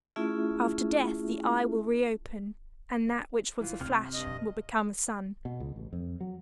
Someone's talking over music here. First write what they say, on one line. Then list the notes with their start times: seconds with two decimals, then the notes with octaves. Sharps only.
After death the eye will reopen, and that which was a flash will become a sun.
0.16 A3 C#4 E4 F4 G#4 E5
3.61 D#1 E3 F4
3.81 D2 G2 C3 F6
4.14 F#1 G2 D#5
4.26 F2 B2
5.45 B2
5.60 C#2
5.76 A1
5.93 F2
6.21 F#3